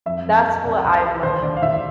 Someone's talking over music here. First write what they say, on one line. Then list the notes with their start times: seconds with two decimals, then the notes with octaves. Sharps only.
That's what I've learned.
0.06 F2 E5
0.25 F2
0.35 E5
0.44 F2
0.65 C2 D5
0.84 C2
1.03 E3
1.23 D2 C5
1.43 D3 D5
1.57 F5
1.62 D2 E5